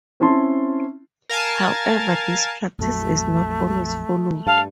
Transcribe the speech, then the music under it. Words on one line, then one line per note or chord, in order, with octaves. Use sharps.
However, this practice is not always followed.
C4 C#4 E4 A5 C6
A#4 F5 G#5 A5
A#1 F2 F#3 A3
G2 F5 A5